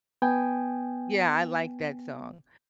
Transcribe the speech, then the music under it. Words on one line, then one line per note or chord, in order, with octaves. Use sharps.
Yeah, I like that song.
B3 G5 G#5